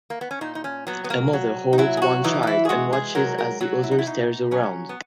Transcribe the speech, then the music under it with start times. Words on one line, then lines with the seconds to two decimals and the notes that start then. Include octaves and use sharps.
A mother holds one child and watches as the other stares around.
0.10 A#3
0.21 B3
0.31 C#4
0.41 A#2 D#4
0.55 D#4
0.64 C#4
0.87 F#3 B3
1.04 B3
1.10 A#3
1.33 F#3
1.73 D#4
1.78 F#3 E4
1.97 G#4
2.02 F#4
2.24 E3 D#4
2.43 D#4
2.47 E4
2.65 G#4
2.69 G#3 F#4
2.93 G#4
3.15 F#3 A#4
3.38 A#4
3.61 F#3 F#4
3.84 E4
3.91 D#4
3.99 E4
4.06 B2 D#4
4.51 F#3 C#4
4.89 B3